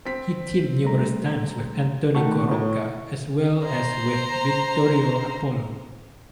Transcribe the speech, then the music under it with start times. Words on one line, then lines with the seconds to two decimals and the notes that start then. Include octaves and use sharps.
He teamed numerous times with Antonino Rocca, as well as with Vittorio Apollo.
0.05 C4 B6
0.85 G3 A3 A#5
2.15 D#3 A3 F#5 C#6
2.51 A2 C#5
3.64 C5 A#5